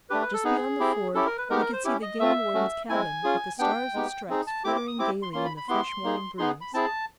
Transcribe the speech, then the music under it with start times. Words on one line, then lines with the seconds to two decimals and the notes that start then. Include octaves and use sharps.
Just beyond the ford we could see the game-warden's cabin, with the stars and stripes fluttering gayly in the fresh morning breeze.
0.10 A3 D4 G4 B4
0.22 B4
0.33 A4
0.44 B3 D#4 G#4
0.80 C4 E4 G4
1.14 C#4 E4 G4 A4
1.26 A#4
1.38 B4
1.50 G#3 B3 D#4 G4 A#4
1.61 A#4
1.73 C5
1.85 C#4 E4 G4
2.02 D#5
2.20 A3 C4 F4 E5
2.54 A3 C#4 F#4
2.89 G#3 C4 E4 G#5
3.24 C#4 F4 G#4
3.59 B3 D4 G4 G5
3.94 G#3 B3 D#4 G4
4.29 C4 D#4 G#4
4.47 A5
4.64 C4 E4 G4 D6
4.76 D6
4.87 D#6
4.98 C4 E4 G4 D6
5.23 C6
5.33 A#3 C#4 F4 C6
5.45 B5
5.57 B5
5.68 B3 E4 G4 C6
6.03 A#3 D#4 G#4
6.38 B3 D#4 G#4 C6
6.61 B5
6.74 C4 E4 G#4 A5